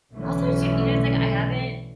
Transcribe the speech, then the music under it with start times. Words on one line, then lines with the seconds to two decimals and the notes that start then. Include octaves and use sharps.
Also, too you know, it's like I haven't
0.13 B1 D3 E3 A3 C#4